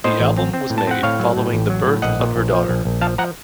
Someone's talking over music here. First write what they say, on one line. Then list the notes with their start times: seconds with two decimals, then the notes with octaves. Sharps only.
The album was made following the birth of her daughter.
0.04 A2 C5 D#5
0.20 A1
0.37 C4
0.53 C4
0.70 A2
0.78 A5
0.87 C4 F#5
1.03 A2 C#5 F5
1.20 F#3
1.37 A2
1.53 A1
1.70 F#3
1.86 A2
2.02 A#1 D#5 F#5
2.20 A#2
2.36 A#1
2.52 F3
2.69 A#1
2.85 A#1
3.01 F3 F5 A5
3.18 F3 F#5 A#5